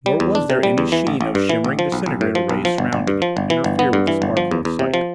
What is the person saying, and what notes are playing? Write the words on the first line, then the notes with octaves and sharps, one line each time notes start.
Nor was there any sheen of shimmering disintegrator rays surrounding it, to interfere with the sparkling sight.
G3
E2
D4
C3
G3
E2
E3
A1
A1
G2
E3
A1
F3
B1
B1
A2
F3
B1
F3
G1
G1
G2
F3
G1
E3
G1
B3
G2
E3
G1
F3
E2
E2
C3
F3